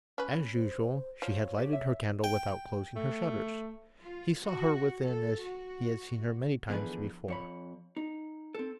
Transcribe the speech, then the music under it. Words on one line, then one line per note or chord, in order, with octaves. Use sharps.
As usual she had lighted her candle without closing her shutters; he saw her within as he had seen her many times before.
C#4 B4
C5
F3 C#5
G4
E5
G5
A3
F4
F#4
A4
F#4
E2 D3 E3 F3 G#4 B4
F2 C#5 B5
D#4
C4 A4